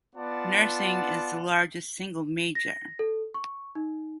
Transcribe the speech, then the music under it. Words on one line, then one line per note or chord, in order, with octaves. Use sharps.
Nursing is the largest single major.
B3 F4 D5 F#5 A5
A#6
A4
C#6
D#4